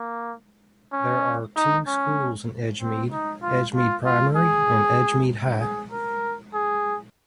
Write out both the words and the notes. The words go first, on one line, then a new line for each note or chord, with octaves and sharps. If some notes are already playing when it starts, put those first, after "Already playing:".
There are two schools in Edgemead: Edgemead Primary and Edgemead High.
Already playing: A#3
C#4
D#4
C#4
C4
D#4
F4
F4
F4
G#4
G#4
A#4
G#4